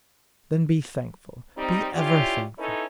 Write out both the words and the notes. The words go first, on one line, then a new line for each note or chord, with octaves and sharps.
Then be thankful--be ever thankful.
G3 C4 D#4
C#4 D4 E4 F4 G4 C#5
C#4 D#4 E4 A4 B4 C#5